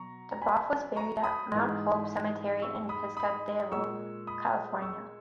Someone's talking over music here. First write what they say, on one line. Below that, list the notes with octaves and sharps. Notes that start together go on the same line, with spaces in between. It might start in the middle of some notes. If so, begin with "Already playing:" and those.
Dubroff was buried at Mount Hope Cemetery in Pescadero, California.
Already playing: B2 F#3 A#5 C#6
A#5
G#5 B5
A#5 C#6
B5 D#6
G#2 E3 G#3
C#6 E6
B5 D#6
B5 D#6
A#2 G#3 C#6 E6
B5 D#6
C#6 E6